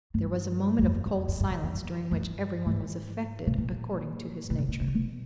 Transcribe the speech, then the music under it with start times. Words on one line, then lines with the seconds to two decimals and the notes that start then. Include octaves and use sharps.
There was a moment of cold silence, during which everyone was affected according to his nature.
0.14 G2
0.79 E2
0.82 F2
1.06 F2
1.28 F2
1.40 F#2
1.51 F#2
1.63 F2
1.74 F#2
2.11 F#2
2.20 G2
2.66 G#2
3.47 B2
3.58 A#2
4.50 A#2
4.58 B2
4.68 A#2
4.80 C#3
4.88 C3
4.95 B2